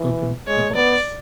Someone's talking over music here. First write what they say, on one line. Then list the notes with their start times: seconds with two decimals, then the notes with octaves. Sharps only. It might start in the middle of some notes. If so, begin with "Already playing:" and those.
Open the box.
Already playing: E3
0.48 G#3 C#5
0.75 B3 D5